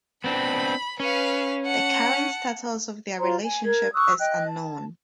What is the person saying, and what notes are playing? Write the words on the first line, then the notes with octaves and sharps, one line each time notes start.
The current status of their relationship is unknown.
B3 C4 D4 B5
C#4 B4 F5
F#5 A5
F4 C5 A#5 C6
G#5
A#4 G#6
C#6 D#6 E6 F#6
D#5 G5 F#6
A5